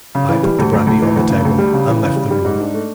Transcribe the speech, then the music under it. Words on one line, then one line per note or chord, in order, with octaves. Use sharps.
I put the brandy on the table and left the room.
C#3
E3
G3
D2
D2
D2
E3
D2
C#3
D2
G3
C#3
E3
C#3
G3
G3
G#2
D4
A3